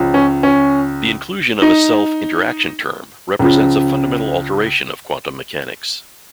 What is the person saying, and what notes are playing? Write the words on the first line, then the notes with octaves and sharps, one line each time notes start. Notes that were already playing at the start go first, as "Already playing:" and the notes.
The inclusion of a self-interaction term represents a fundamental alteration of quantum mechanics.
Already playing: C#2 C#3 F3
C#4
C#4
D#4
C#2 C#3 F3